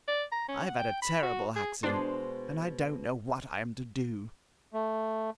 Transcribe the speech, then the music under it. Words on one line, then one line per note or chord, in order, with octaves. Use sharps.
I've had a terrible accident, and I don't know what I am to do.
D5
A#5
C#4
F#5
G5
B5
F#4
G#4
B2 G#3 D4 C5 C6
A3